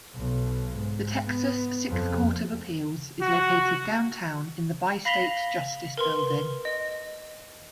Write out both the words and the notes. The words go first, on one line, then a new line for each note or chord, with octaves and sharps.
The Texas Sixth Court of Appeals is located downtown in the Bi-State Justice Building.
B1
G#2
B3
F2
F#4
F5 B5 A#6 B6 F7 G7
A#4 B4 C6
D#5